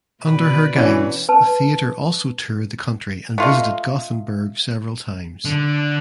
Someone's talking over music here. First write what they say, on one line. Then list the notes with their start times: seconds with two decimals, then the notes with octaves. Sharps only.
Under her guidance the theatre also toured the country and visited Gothenburg several times.
0.22 B2 B4 D5
0.76 E3 C#4 D4 F#4
1.29 B4 A5
3.38 A3 F4 D#5
5.45 D3